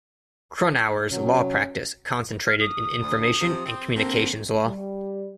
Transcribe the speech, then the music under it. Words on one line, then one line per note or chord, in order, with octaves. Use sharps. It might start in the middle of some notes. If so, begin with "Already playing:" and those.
Cronauer's law practice concentrated in information and communications law.
C3 F#3 C#4
F6
D#6
D2
C3 F3
C4
D3 A#3 C4
G3